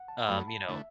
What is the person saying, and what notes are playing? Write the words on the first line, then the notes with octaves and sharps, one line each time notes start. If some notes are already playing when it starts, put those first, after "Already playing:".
Um, you know.
Already playing: F#5
A5
F#2 F#3 A3 B5
A5
D3 A3 E4 E5